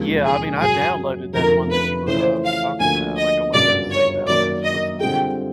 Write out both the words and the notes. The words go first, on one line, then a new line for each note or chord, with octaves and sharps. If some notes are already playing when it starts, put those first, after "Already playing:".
Yeah. I mean, I downloaded that one that you were, um, talking about. Like, I went ahead and saved that one to listen to
Already playing: E1 D#2 C#3 F3 G#3
G#4
F#2 C#3 F#3 G#4
F1 F2 D3 F3 A3 A#4
B4
C#3 E3 A3 C#4 F4 C5
F5
D2 D3 F3 A#3 G#5
D#5
G1 F#2 C#3 F#3 D5
C#5
F#2 D#3 F#3 A#3 D5
D#5
D3 G3 C4 F4 G#4 G5